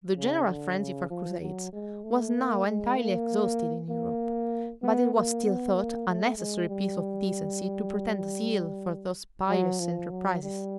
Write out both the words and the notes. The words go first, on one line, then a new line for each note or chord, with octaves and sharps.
The general frenzy for crusades was now entirely exhausted in Europe; but it was still thought a necessary piece of decency to pretend zeal for those pious enterprises.
C#3
D3
C#3
F3
F#3
G#3
A3
A#3
G#3
A#3
A#3
B3
A#3
B3
A#3
A3
G#3
G3
F#3
F3
F#3
G3